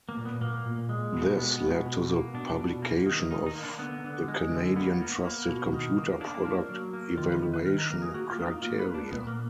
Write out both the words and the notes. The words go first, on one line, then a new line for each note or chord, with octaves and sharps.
This led to the publication of the Canadian Trusted Computer Product Evaluation Criteria.
A#3
A#2
B3
A#2 A#3
A#2
G#3
B2
A#3
G#3 B3
B2
B2
A#3
B2 D4
B2
A#3
D#3
D#3 D#4
D#4
A#3
D4
D3 B3
D3
G#3
D3
A#3 B3
A#3
A#3
B2
D#3
A#3
A#3 D4
A#3
F#3
A#3
D#3 F4
B4
D#3
B4
D#3 A#4
A#4
A#3 A#4
G#4
A#3 F#4
F4
A#3
D#4
A#3 F4
B4
A#3
D4
A#2 B3
A#3